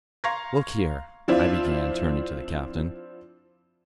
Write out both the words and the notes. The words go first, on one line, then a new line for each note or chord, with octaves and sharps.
"Look here," I began, turning to the captain.
F5 A#5 C6 C#6 G#6 A#6
F3 C4 D4 E4 F4